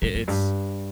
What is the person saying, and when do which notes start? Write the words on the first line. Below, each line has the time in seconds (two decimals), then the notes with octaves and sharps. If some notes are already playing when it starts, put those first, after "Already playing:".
i it's
0.02 G2
0.15 F2
0.28 G2